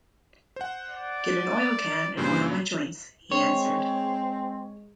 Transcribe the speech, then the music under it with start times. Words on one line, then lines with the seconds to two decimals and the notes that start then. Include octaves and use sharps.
"Get an oil-can and oil my joints," he answered.
0.56 C5 F#5
0.90 D5
2.17 G2 A#2 C#3 C5
3.32 G#3 C4 C#5